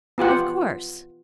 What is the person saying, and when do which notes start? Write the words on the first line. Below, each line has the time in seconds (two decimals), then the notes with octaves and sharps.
'Of course.
0.18 B3 F4 G4 F#5